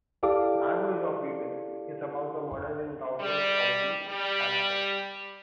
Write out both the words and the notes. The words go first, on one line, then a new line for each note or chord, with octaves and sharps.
"Language of Evil" is about a murder in Douglas County, Kansas.
E4 G4 A4 D5 F5 D6
G3
G3